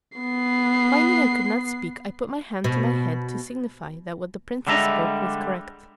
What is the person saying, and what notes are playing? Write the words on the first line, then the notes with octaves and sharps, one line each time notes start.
Finding I could not speak, I put my hand to my head' to signify that what the princess spoke was correct.
B3 C7
B2
D3 G3 G#3 E5 A5 A#5